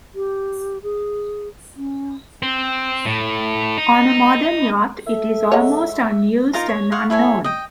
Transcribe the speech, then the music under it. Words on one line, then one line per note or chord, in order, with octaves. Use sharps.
On a modern yacht, it is almost unused and unknown.
G4
G#4
C#4
C4
A2
D#4
A4 E5
G#3 C#5 D#5 F#5
D#4 F4 A#4 A#5
C#5
F5 F#5 C#6
E4 A4 C#5 G#5
D#5 G5